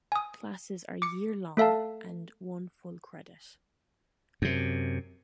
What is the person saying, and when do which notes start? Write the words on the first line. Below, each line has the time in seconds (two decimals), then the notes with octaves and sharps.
Classes are year-long and one full credit.
0.12 G#5 D#6
1.02 D6 C#7
1.57 A3 A4 E5 F5 A5
4.42 F#2 C3